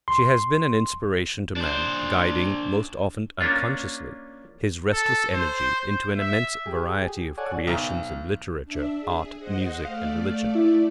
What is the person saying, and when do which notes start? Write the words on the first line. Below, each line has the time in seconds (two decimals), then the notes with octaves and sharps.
She has been an inspiration to man, guiding, most often unconsciously, his restless energy into an immense variety of creations in literature, art, music and religion.
0.08 C6
1.56 D4 C5
3.41 A#3 C#4 D4 F4
4.92 A4
5.34 C5
5.80 C5
6.18 E5
6.66 G4 G#4
7.38 A4 C#5 D5 F#5 G#5
7.67 B1
8.65 D4 E5
9.00 G#4
9.39 C5 D#5 F#5
9.85 A3 D5 F5
10.55 E4